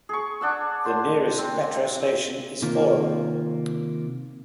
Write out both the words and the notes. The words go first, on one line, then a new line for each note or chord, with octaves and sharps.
The nearest metro station is Forum.
G#4 C#6
D4 F#5 E6
C5 C6
C4
C3 D#3 A#3 F4